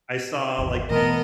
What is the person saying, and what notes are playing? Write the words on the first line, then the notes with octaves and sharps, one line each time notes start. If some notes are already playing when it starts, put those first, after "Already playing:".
I saw like
G#1 E2
B2 E3 A3 B3 A#4 D#5